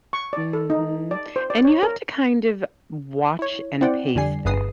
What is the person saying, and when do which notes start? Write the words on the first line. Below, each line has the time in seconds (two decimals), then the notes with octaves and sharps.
Mhm. And you have to kind of watch and pace that
0.13 C#6
0.33 D5
0.53 A4
0.70 D#4
1.11 D5
1.36 C5
1.50 D5
1.65 C#5
1.83 A#4
3.39 E4 C#5
3.81 C4 E4 C5 D5 F#5 G5
4.15 F2 D3 G3 D5 G#5 C7
4.45 G1 G2 G#4 B4 D#6 C7